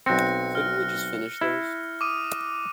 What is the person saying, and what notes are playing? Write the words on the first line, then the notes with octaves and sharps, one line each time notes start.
Couldn't we just finish those?
B1 C4 F#6 A#6 C#7
F6
E4
D6 D#6 D#7